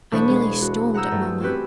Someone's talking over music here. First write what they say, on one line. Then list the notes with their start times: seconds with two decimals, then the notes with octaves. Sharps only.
I nearly stormed at Mamma.
0.12 E1 D4 C5 B5 C#6 D#6
0.29 G#3 G#4
0.62 F#4
0.94 F#5 A#5 D#6 E6 G6
1.11 G2 A3
1.41 C4 C#4 F#4 G4 B4